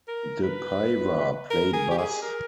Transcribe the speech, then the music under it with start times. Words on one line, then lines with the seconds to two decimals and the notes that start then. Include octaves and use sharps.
DePaiva played bass.
0.08 A#4
0.43 B4
1.50 A#4
1.73 G#4
1.91 G4
1.98 G#4
2.22 A#4